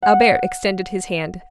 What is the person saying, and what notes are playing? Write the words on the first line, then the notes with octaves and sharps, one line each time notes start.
Albert extended his hand.
F#5